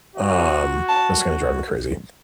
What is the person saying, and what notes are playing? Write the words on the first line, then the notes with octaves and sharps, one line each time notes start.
Um, that's gonna drive me crazy.
F#4
A5